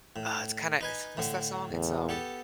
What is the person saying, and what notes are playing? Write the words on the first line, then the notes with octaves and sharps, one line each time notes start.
Uh, it's kinda it's what's that song? It's, um,
A2
D#4 B4 G#5
A2 D3
E2
B3 G4 A4